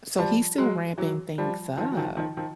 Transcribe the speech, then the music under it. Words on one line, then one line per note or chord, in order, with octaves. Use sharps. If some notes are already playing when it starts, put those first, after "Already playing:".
So, he's still ramping things up.
F3 G3
F#3 G#3
E3 F#3
F3 G3
D#3 F3
F#3
D#3 F3
D#3 F3
D#3 F3